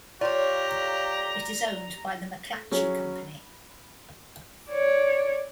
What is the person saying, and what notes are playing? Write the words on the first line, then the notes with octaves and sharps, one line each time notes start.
It is owned by The McClatchy Company.
F4 G4 C#5 D5 A#5
F#3 C#4 G#4
C#5 D5